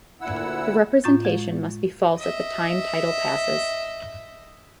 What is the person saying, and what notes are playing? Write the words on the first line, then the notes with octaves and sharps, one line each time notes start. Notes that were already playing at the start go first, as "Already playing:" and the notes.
The representation must be false at the time title passes.
D2 A#2 E4 F#5 E6
A2 F4 C#6 G6 A6
G#3
D#5 E5